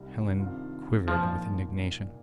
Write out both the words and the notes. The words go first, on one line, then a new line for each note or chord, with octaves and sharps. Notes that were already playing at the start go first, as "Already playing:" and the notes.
Helen quivered with indignation.
Already playing: C2 C3 G3 D#4
G2 D#3 C4 F4
A#1 A#2 F3 A#3 D#4